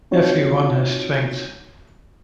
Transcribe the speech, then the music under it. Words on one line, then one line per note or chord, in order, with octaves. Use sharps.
Everyone has strengths.
C4 D#4 F4 F#4 C#5